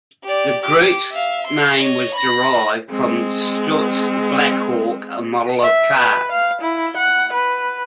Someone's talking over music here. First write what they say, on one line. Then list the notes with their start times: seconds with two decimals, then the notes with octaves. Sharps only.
The group's name was derived from the Stutz Blackhawk, a model of car.
0.24 G4 D5
0.62 G4 D6
1.12 E5 F5
1.46 C6
1.78 C#5 D#5
2.15 B5 A#6
2.90 G#3 C4
5.63 E5
5.98 B4
6.32 F5
6.62 E4
6.97 F#5
7.33 B4